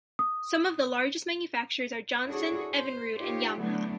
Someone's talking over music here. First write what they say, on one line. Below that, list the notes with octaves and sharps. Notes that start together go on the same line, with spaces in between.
Some of the largest manufacturers are Johnson, Evinrude, and Yamaha.
D#6
D4 E4 F#4 G#4 A4 C#5
C5
D#4 F4 G4 C5 C#5
D3 F#3 A3 B3 D4 E4